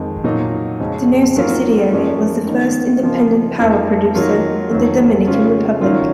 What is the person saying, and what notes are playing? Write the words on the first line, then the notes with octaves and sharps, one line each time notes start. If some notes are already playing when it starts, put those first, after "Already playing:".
The new subsidiary was the first independent power producer in the Dominican Republic.
Already playing: F2 D#3 G#3
A#2 F#3 A#3 D#4
F2 C#3 G#3 C#4
G#2 F#3 A#3 F4
F#2 F3 A#3 C#4
D#3 A#3 D#4
C#3 F3 A#3 F4
F2 F3 A#3 D#4
D#3 F#3 A#3 F4
F2 D#3 F#3
C#3 G#3 C#4 F4
D#3 F#3 C#4 F4